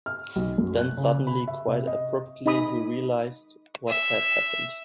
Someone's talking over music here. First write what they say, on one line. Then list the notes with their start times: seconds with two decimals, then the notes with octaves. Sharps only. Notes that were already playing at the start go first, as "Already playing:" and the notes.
Then suddenly, quite abruptly, he realised what had happened.
0.06 F6
0.36 B1
0.58 F#2
0.77 F#6
0.97 C#3
1.27 B5
1.48 E5
1.67 C3
1.87 D#5
2.46 D#4 D#5 B5 D#6
3.87 E5